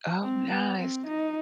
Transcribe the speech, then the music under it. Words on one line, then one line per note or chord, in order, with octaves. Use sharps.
Oh, nice.
C4
B3
C4
D#4